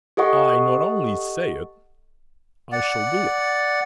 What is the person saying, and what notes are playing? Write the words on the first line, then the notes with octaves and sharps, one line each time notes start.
"I not only say it, I shall do it."
G4 A4 D#5 F#5 C#6
D5 F#5